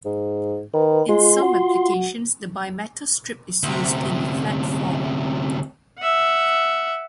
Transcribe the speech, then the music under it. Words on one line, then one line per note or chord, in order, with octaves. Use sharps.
In some applications the bimetal strip is used in the flat form.
G#2
D#3 B4
G#3 F4 C6
F#4
D2 C3
E5 F#5